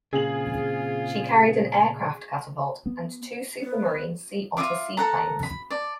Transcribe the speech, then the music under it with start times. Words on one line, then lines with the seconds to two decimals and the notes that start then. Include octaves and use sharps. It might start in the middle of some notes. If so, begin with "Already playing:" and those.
She carried an aircraft catapult and two Supermarine Sea Otter seaplanes.
0.13 A#2 C#3 C4 F4 G#4 F#7
2.86 B3
3.61 B3
4.57 F4 D#5 E5 D6
4.97 A4 F#5 A#5
5.43 B5
5.70 D5 A5